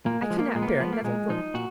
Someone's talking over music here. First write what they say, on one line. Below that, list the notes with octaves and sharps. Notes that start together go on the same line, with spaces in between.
I could not bear another word.
A#2 A#3
G#3
F3
A#3
A#2 G#3
B3
A#3
F3 B3
A#3
A#2 G#3
F3 D#4
A#2 F#4